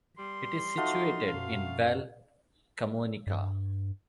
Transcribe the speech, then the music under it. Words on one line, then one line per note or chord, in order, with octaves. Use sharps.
It is situated in Val Camonica.
G3 C6
F#3 A3 D#4 F4
F#2 B2 F5
G2